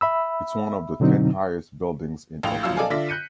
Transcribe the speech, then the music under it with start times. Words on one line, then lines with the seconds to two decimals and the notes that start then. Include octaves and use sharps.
It’s one of the ten highest buildings in Auckland.
0.01 E5 B5 E6
1.00 B2 D3 F#3 C4 D#4
2.43 A#1 A2 F5 G5 F7
2.63 A#1 F3 F#3 F4 F5 E6
2.77 A4 D5 D#5 F5 G#5
2.90 D3 F4 D5 E5 A#6 B6
3.09 F#6 G6 C#7 D#7